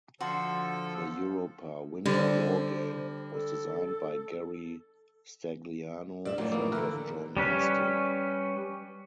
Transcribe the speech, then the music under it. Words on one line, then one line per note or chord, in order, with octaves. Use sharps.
The Europa Winter War Game was designed by Gary Stagliano, friend of John Astell.
D3 F3 F#4 A4 C6
D3 G3 C5
A4
G2 D5 E5
F#2 A2 F3 F#3 A#3
D#3 A#3 B3
D3 E3 A#4 B4 E5
G3 C#4 B4